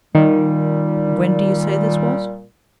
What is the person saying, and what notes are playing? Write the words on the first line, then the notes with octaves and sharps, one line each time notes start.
"When do you say this was?"
A#2 D#3 G3